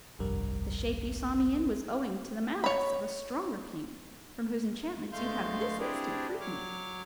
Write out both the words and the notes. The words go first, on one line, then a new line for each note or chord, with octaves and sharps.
The shape you saw me in was owing to the malice of a stronger king, from whose enchantments you have this instant freed me.
G1 C2 F2 G3 A#4
C#5 B5
D2 G#3 A3 F5 C6 G6
C4 D4 E4 G4 G#4 D5
F#3 C#5 D6 F6